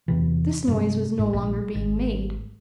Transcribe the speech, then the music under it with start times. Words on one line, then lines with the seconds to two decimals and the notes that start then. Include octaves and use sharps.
This noise was no longer being made.
0.08 E2 C3 E3
0.68 G2 C3
1.19 G#1 G#2
1.33 A#1
1.75 G#1